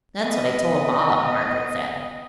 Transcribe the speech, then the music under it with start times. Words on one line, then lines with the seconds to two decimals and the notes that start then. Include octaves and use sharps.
"That's what I told Bob," Margaret said.
0.20 B3 D#5